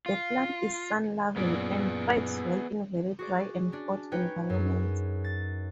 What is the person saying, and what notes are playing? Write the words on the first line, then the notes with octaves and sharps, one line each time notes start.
The plant is sun-loving, and thrives well in very dry and hot environments.
F4
F#2 A#2 B3 G#4 D5
F#4 G#4 D5
C#4 D4
C#4 D#4 B4 C#5 G5
F#2 G#4
A6